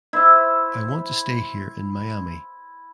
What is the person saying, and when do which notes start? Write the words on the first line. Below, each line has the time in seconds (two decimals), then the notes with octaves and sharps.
I want to stay here in Miami.
0.13 E4 C5 E5